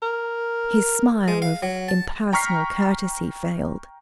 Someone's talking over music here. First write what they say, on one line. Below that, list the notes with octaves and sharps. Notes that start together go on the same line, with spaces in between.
His smile of impersonal courtesy failed.
A#4
G#3
F5
F#3
A5
G5 A#5 C#6 F6 B6 C7